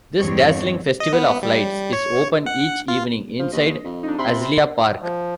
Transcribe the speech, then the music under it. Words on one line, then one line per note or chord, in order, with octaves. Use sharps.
This dazzling festival of lights is open each evening inside Azalea Park.
E2 G2 C4 C#5
D#5
B3
G3
C#5
F#5
F4
F3
D#2 D#5
F2
D4 D#4
C3 B5 C6
F3